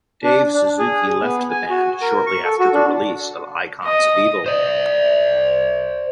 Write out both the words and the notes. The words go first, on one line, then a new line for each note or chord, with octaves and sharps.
Dave Suzuki left the band, shortly after the release of "Icons of Evil".
D4
D4
G#4
B3
G#5
F#4
A#4
C#6
A4
F#4
D4
D#5
C5 D5